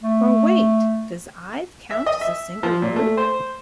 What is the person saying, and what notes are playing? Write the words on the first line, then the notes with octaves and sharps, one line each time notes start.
Or wait, does I've count as a single word?
A3
E5
D#5
E5
F3
A#2
A3
C5